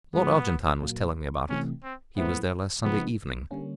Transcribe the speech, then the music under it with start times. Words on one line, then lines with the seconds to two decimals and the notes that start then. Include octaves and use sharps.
Lord Argentine was telling me about it; he was there last Sunday evening.
0.15 A2 F3 G#3 B3
0.82 A#2 F#3 A#3
1.49 C3 E3 A3 C4 C#4
1.83 C4
2.17 G#2 F3 A3 B3 C4 E4
2.84 C#3 F3 G#3 B3 C4 D#4
3.51 D3 G3 A#3 C#4